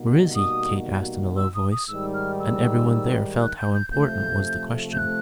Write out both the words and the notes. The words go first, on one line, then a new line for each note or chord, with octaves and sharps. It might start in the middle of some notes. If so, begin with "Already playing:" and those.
"Where is he?" Kate asked in a low voice, and everyone there felt how important was the question.
Already playing: B2 G3 A#3 D#4 F#4
D#6
E6
D#6
D#6
G#2 D#3 G3 E6
F6
E6
F#6
G6
G6
C3 F3 A3 G6
G6
F#6